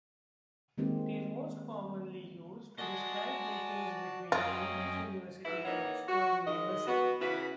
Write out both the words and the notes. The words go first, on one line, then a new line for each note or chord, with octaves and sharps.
It is most commonly used to describe meetings between Cambridge University and Oxford University.
D#3 G#3 A#3 C4 G4
F#4 D5 D#5 G#5 A5
F#2 C#4 F4 D#5 G5
G#2 E3 E4
E3 A#3 D#4 C#5 F#5
F#4
D#3 G#3 D#5
B3 F#4
C#3 E3 E4 F#4 B4